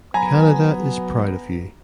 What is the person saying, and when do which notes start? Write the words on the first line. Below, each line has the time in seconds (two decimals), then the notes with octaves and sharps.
Canada is proud of you.
0.14 F#3 B3 G#5 A#5 B5